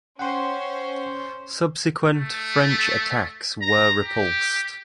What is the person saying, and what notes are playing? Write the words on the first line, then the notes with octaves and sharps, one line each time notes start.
Subsequent French attacks were repulsed.
C#4 C5 F#5 G5 C6
A3
A#5
G4